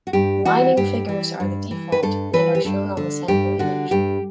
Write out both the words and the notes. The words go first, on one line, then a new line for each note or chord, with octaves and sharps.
Lining figures are the default, and are shown on the sample image.
F#4
G2 G4
E3 F#4
G2 G4
E3
G2
E3
B4
G2 A4
E3 B4
G4
G2 A4
D3
G2 G4
D3 F#4
G2 G4